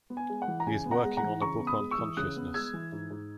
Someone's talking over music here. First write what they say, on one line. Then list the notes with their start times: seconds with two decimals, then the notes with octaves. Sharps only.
He is working on a book on consciousness.
0.10 B3
0.17 G#5
0.30 G#3
0.42 F#5
0.48 E3
0.60 A#5
0.67 C#3 G#5
0.85 B3
0.91 F#5 A#5
1.05 G#3
1.17 F#5 A#5
1.23 E3
1.42 C#3 A#5 C#6
1.60 B3
1.67 B5 D#6
1.80 G#3
1.91 C#6 E6
1.98 E3
2.17 C#3 D#6 F#6
2.36 B3
2.54 G#3 E6 G#6
2.73 E3
2.92 G#2
3.10 G#2